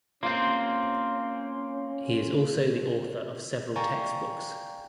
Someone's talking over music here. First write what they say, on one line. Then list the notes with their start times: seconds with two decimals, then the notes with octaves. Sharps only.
He is also the author of several textbooks.
0.23 A#3 C4 C#4 F4 F5
3.76 D5 F5 G5 G#5 A#5 C#6